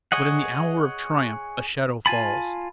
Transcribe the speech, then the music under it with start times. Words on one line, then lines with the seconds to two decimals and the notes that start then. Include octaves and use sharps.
But in the hour of triumph a shadow falls.
0.12 G#4 C#5 D#5 F#5
2.06 F4 G#5 A5 B5